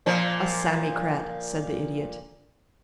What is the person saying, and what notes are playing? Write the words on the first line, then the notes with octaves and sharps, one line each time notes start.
"A Sammycrat," said the Idiot.
A#2 F3